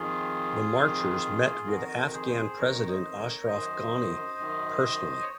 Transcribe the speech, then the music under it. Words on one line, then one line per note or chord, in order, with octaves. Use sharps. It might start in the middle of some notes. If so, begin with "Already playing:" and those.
The marchers met with Afghan President Ashraf Ghani personally.
Already playing: F2 D#3 F4 G#4
F2 D#3
F2 D#3 F#4 A#4
C5
A#4
G#4 C5
G#4 C5
F2 D#3 A#4 C#5
C5 D#5
A#4 C#5
F#2 D#3 C5 D#5
F#2 D#3
C#5